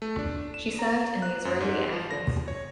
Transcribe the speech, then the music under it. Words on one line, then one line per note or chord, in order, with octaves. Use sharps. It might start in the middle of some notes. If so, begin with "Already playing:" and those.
She served in the Israeli Air Force.
A3
D4
E7
A#5
F#6
F#2
G#2
F3
A#6
C#5